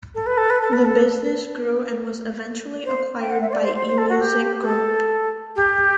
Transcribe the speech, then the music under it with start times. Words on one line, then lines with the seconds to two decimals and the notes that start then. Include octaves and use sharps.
The business grew and was eventually acquired by eMusic Group.
0.14 A4
0.26 B4
0.37 A4
0.50 B4
0.61 A4
0.73 B4
0.84 A4
2.85 C5
3.20 G5
3.30 F#5
3.41 E5
3.49 C5
3.53 D5
3.64 C5
3.75 C5
3.87 C5
3.98 A4
4.09 F#4
4.20 G4
4.61 B4
4.65 A4
5.55 G4